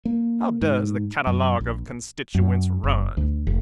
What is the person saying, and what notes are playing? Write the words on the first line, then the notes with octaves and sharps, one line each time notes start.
How does the catalogue of constituents run?'
A#3
G#2
F#2
A#1
F#2
F#1
D2
F1